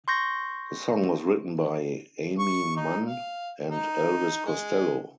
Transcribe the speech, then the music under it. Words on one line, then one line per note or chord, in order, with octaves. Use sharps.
The song was written by Aimee Mann and Elvis Costello.
C6 C#6 G6 A#6
C#6
D#4
F5
D#4
G#3